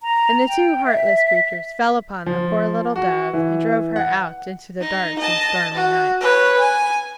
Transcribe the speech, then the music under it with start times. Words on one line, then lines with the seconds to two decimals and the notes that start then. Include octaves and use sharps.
And the two heartless creatures fell upon the poor little Dove and drove her out into the dark and stormy night.
0.03 A#5
0.48 G5
0.85 E5
2.26 F3
2.96 F#4
3.33 E3
3.96 F#5
4.81 D#4
5.19 D#5 A5
5.74 F#4
6.21 B4 C#5
6.59 G#5